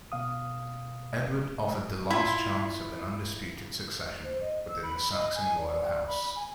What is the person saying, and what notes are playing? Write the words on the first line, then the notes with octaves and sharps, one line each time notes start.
Edward offered the last chance of an undisputed succession within the Saxon royal house.
B2 F5 D#6
E4 F4
C5
D#5
E6
B5
D#5
G#5
D5
B5
G#5